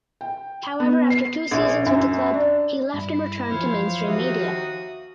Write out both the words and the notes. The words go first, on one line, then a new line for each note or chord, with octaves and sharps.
However after two seasons with the club he left and returned to mainstream media.
G5
B3
C7
A#1
F#2
D4
G2 E4
F#2 E3 F3 C5 C#5 F5
D#2 F#4 E5 F5 D#6